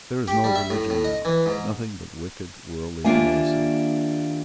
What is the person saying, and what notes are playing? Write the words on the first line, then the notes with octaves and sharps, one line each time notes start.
There is no religion now, nothing but wicked, worldly policy.
G4
G3
E5
A2
A2
D#5
E3
G#2
D#2 A#3 D4 F4 E5 G#5